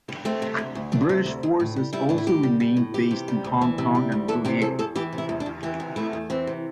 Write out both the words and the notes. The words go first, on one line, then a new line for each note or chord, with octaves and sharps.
British forces also remained based in Hong Kong and Brunei.
G2
A3 C4
C3
D2
D2
A3 D4
C3
D2
D2
A2
G3
G3 E4
A2 D4
E4
A2 G4
G3
G3
A2
E3 G4
C3
G3
D2
E3
C3
G3
D2
E3 A4
C3 G4
E2 A4
E2 A4
E3 G4
C3
E4
E2
D4
E2
E3 G4
C3
A3 E4
E2
E3 C4
C3